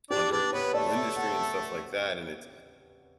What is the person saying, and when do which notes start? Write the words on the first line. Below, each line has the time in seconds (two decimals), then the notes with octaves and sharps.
under, you know, new industry and stuff like that, and it's,
0.10 D4 G4 D5
0.32 D4 B4 D5
0.52 B3 B4 C#5
0.74 A3 A4 D5
0.89 D5
0.95 E5
1.16 F#5